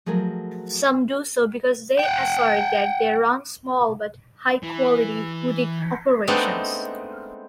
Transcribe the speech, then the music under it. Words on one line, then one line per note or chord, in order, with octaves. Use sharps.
Some do so because they assert that they run small but high-quality "boutique" operations.
F3 F#3 A3 G#4 A#4
F#5 G5
E3
G#3 A3 B3 C4 D4 D#4